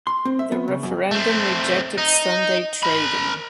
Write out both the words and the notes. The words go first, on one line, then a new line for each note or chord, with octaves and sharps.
The referendum rejected Sunday trading.
C6
C4
E5
B3
C#3
F#2
A3 C4
D#4
A#4 B5